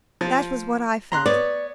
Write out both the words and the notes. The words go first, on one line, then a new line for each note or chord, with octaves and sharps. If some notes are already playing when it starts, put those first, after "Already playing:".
That was what I felt.
F3
A#5 C6 F#6
B3 C#5 D5